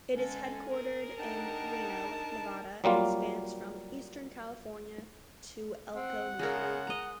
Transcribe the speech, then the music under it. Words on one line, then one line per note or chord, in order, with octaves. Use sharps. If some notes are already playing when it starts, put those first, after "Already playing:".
It is headquartered in Reno, Nevada and spans from eastern California to Elko, Nevada.
D3 G#3 C#4 A4
G#4 A#4
D4 D#4 F#5 G5 A5
F#3 G3 A#3 F4
C4 F#5
C#3 G#3 A#4
D#5 A#5